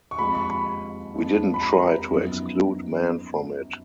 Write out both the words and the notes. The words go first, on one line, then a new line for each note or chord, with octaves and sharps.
We didn't try to exclude men from it.
C#6
F2 F3 G#3 B5
C#6
B5
F2 F3 G#3
B5
A#5
F#2 F3 B3 D#4